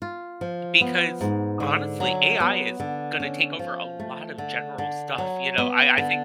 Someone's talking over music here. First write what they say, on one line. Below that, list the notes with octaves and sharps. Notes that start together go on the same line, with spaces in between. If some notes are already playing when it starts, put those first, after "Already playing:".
because honestly, AI is gonna take over a lot of general stuff, you know? I I think
F4
F3
B3
G#2
D3
F#3
B3
D3
C#4
F3
A3
D3
D3
F#3
B3
D3